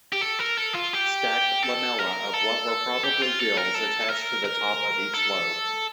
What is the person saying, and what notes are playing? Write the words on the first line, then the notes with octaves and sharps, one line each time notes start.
Stacked lamella of what were probably gills attached to the top of each lobe.
G4
A4
A#4
A4
F4
G4
A4
A#4
A4
G4
F4
A4
A#4
A4
A#4
A#4
A4